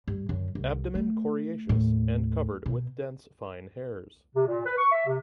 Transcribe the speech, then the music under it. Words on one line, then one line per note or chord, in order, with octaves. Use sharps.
Abdomen coriaceous and covered with dense fine hairs.
G2
F#2 D3
C2
A3
D#2 A2
B2
C3
A#2
B4
C#6
E5
C3